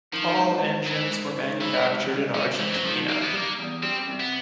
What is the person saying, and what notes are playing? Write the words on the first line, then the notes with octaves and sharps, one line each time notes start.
All engines were manufactured in Argentina.
D#3 F3
G#2
G#2
G#2 E3
G#2
D#3
G#2 E3
G3
G#2
G#2 D3
G#2 E3
F#3
D#3 F3
G3 A#3
B3
G3 A#3
E2
G3 C4
C3
B3